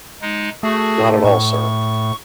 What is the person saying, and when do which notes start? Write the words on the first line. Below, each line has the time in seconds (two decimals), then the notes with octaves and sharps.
Not at all, sir.
0.22 G#3 D#4
0.63 A3 F#4 G#4
1.24 A2 C#6